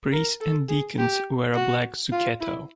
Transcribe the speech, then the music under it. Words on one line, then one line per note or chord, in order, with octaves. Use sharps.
Priests and deacons wear a black zucchetto.
A#4
A4
G#4
G4
F#4
F4
E4